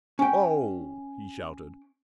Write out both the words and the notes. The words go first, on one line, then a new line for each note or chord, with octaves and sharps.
"Oh!" he shouted.
C#4 G5